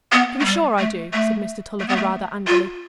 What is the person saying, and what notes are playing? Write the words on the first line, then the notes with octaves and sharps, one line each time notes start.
"To be sure I do," said Mr. Tulliver, rather angrily.
B3
A3
G3
A3
A3
A3
B3
A3
F4